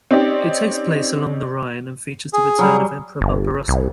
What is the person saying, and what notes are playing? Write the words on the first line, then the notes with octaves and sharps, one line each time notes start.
It takes place along the Rhine and features the return of Emperor Barbarossa.
C4 C#4 D#4 G4 D5
G#4
F#3 G3
G1
C2